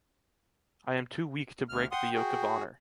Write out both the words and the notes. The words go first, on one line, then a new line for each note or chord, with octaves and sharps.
I am too weak to break the yoke of honor.
D2 F6
F#5 G5 C6 D#6
F#4 G#4